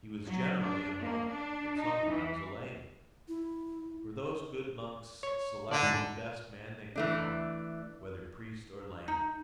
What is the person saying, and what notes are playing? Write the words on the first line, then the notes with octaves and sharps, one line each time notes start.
He was generally a monk, but sometimes a layman; for those good monks selected the best man they could find, whether priest or layman.
F#3
D4
A#3
D4
D#4
E3
E4
C#5
D3 D5
G#2
E3 A3 D4
D#4